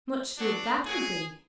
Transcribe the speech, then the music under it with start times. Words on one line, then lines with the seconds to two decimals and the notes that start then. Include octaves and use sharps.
"Much good that would be!"
0.37 B2 F#3 D4
0.86 A#2 F#3 G#4